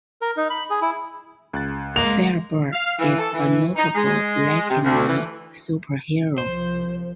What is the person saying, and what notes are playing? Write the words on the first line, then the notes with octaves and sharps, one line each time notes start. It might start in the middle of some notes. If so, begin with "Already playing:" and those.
Firebird is a notable Latina superhero.
A#4
D#4
B5
G#4
E4
C#2 F#6 A6
G#3 A#3 F7
F5
E3
A4
E3
D#4
G#3
C3
D2
E3
C2 F3 C5